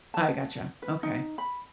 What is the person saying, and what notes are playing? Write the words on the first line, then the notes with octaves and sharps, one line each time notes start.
I gotcha, okay.
A5
B4
D#4
B5